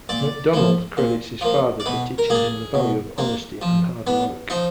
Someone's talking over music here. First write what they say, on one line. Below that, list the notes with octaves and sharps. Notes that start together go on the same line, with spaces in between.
McDonald credits his father for teaching him the value of honesty and hard work.
A#2 D5
F3 A#3
A#2
F3 A#3
D5
B2 B4
A#4
A#3 D4 G#4
B2
A#3 D4
F3
B3 D4
F3 D#4